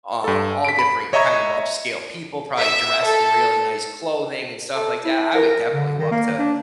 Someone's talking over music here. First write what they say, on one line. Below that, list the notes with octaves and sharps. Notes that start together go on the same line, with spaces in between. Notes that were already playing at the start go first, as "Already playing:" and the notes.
um, all different kind of upscale people probably dressed in really nice clothing and stuff like that. I would definitely love to,
G2 A4
B6 D7
B5
C#5 D#5 E5 A#5 C#6 G#6
E5
A4
A4
E4
A#4
D3
D#3
A#3
D4